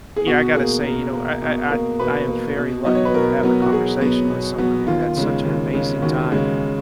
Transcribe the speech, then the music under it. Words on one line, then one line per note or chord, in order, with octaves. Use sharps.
yeah, I gotta say, you know, I I I I am very lucky to have a conversation with someone who had such an amazing time
G#4
B2 F#4
A#3 G#4
B2 A#4
A#3
B2
A#3
B2 B4
A#3
B2
F#3 B3 D#5
C#5
B4
B2 A#4
F#3 B3
F#4
B2 G#4
F#3 B3
B2
F#3 B3
D#2 F4
C#3 G#3
D#2
C#3 G#3
D#2 F#4
C#3 G#3